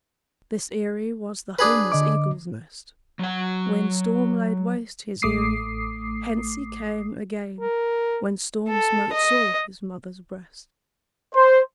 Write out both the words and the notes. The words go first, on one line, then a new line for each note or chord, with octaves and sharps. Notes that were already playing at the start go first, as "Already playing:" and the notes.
This eyrie was the homeless eagle's nest When storm laid waste his eyrie: hence he came Again, when storm smote sore his mother's breast.
D4 G#4 B4
D3 D#5 D6
F#3 F#5
A1 A3 D6 D#6 C7
A#4
A4
D#5
C5